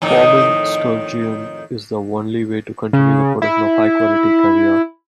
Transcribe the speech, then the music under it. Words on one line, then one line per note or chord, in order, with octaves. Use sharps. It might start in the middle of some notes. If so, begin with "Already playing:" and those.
Farming sturgeon is the only way to continue the production of high quality caviar.
F2 A2 D#3
C#3
E4